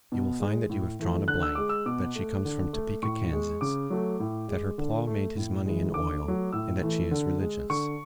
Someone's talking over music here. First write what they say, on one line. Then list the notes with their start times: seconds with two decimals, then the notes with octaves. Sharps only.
You will find that you have drawn a blank, that she comes from Topeka, Kan., that her paw made his money in oil, and that she is religious.
0.12 B2
0.40 G#3
0.70 A2
0.99 E3 A3
1.28 D3 F#6
1.43 E6
1.55 G#3 D6
1.69 E6
1.86 B2 D6
2.15 A3
2.45 D3
2.73 A3
3.02 A2 C#6
3.33 G#3
3.61 C#3 D6
3.90 F#3 A3
4.20 A2
4.49 G#3
4.78 D3
5.07 A3
5.36 A2
5.66 E3 G#3
5.94 D3 D6
6.23 F#3 A3
6.52 A2 E6
6.82 E3 A3
7.11 D3
7.40 G#3
7.70 D3 C#6